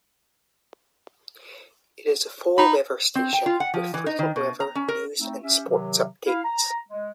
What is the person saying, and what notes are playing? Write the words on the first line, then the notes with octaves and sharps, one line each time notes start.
It is a full service station, with frequent weather, news and sports updates.
D#4 B5
C4
G5
F4
F#5
F3
E3
D#4
D#3
B2
A#5
C#4
A#4
A3 C4 D#4 E4
C#4 G4 E5
C3 D#3 F#3
E4 F5
A#5
G#3